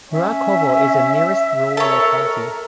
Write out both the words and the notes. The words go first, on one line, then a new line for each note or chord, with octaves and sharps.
Mrakovo is the nearest rural locality.
C#4 E5
A4 A#4 C#5